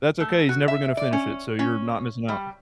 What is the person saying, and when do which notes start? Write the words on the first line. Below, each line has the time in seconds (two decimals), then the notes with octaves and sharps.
That's okay, he's never gonna finish it, so you're not missing out.
0.20 A3
0.49 F#4
0.68 E5
0.97 D5
1.13 C#4
1.59 C#4
2.28 G3